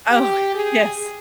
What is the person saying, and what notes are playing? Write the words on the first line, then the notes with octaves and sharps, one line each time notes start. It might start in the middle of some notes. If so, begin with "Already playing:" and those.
Oh, yes.
G4
G#4